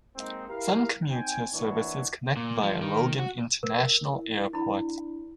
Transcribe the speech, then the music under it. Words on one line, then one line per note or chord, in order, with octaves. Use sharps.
Some commuter services connect via Logan International Airport.
G#3 A#3 C4 D#4
E4 G4 A#4 B4 F5
C4 D#4 G5 G#5
E3 A#3 D4 E4 F#4 C#5
A#2
F3
D#3
F#4
A#4
E4
D4 E4 B5